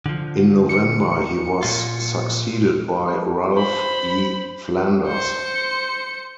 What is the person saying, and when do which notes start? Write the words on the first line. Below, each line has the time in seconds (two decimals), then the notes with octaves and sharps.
In November he was succeeded by Ralph E. Flanders.
0.06 D3 F3
0.69 C#7
1.63 A#2 F4
3.54 C5 B5
5.07 C5 C#7